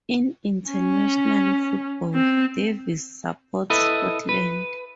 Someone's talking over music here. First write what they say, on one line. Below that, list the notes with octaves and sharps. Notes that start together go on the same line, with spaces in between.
In international football Davies supports Scotland.
C#4
C4
E4 A4 B4 D#5
B4